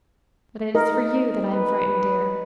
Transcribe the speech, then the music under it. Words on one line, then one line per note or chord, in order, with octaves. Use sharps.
But it is for you that I am frightened, dear.
D#4 A#4
B4